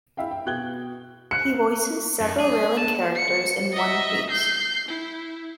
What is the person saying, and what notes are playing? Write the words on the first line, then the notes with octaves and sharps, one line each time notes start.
He voices several villain characters in "One Piece".
E4 E5 F5 G5
G5
B2 G5 F#6 G#6 G7
F#6 C#7
F#2
G#4
A5
C#7
D#5 E5
G6 C7
E4